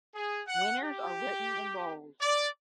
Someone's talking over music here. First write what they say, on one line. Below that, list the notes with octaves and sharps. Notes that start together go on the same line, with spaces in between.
Winners are written in bold.
G#4
F#5
G4
D5